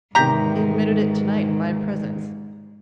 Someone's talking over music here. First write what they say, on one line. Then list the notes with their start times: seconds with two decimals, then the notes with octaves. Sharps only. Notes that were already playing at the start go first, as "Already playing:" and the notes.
He admitted it tonight in my presence.
0.15 E2 G#2 C3 D#3 G4 A#5